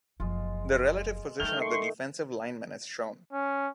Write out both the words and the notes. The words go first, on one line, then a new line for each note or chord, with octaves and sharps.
The relative position of the defensive linemen is shown.
F#1 F3 G#3 F4
D#3 E3 G3 A3 D#4 F6 G6
C6 C#6
C#4